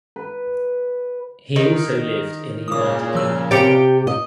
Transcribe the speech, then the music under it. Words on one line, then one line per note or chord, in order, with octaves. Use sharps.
He also lived in the United Kingdom.
B4
D#3
A#2 C#3 D6 D#6
F3 E6
C3 G4 G5 A6 C#7
D#5